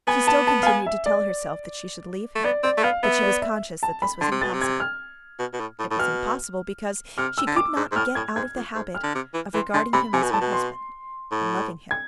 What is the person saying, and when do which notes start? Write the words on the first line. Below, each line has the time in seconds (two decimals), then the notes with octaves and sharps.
She still continued to tell herself that she should leave him, but she was conscious that this was impossible; it was impossible because she could not get out of the habit of regarding him as her husband and loving him.
0.07 B3 G#5
0.27 A5
0.47 A5
0.63 F5
0.67 G#5
0.86 E5
1.06 D5
2.36 A3
2.44 B3 D5
2.63 C4 D5
2.77 A3
2.83 B3 F5
3.03 B3 E5
3.23 D5
3.42 E5
3.83 A5
4.02 B5
4.21 D3 C6
4.32 C3
4.41 B2 A6
4.54 C3
4.62 G#6
4.80 F6
5.39 B2
5.53 B2
5.60 A2
5.79 A2
5.91 A2
5.99 B2 F6
7.18 C3 F6
7.38 E6
7.47 D3
7.56 D6
7.76 G#2
7.92 G#2
7.96 A2 F6
8.15 A2 G#6
8.36 G#2 G#6
8.56 F2
8.75 G#2
8.95 F6
9.03 D3
9.15 C3
9.34 E3
9.54 E3 C6
9.74 D3 C6
9.93 C3 B5
10.13 C3 G#5
10.22 B2
10.31 A2 A5
10.41 B2
10.53 C6
11.32 A2
11.91 G#6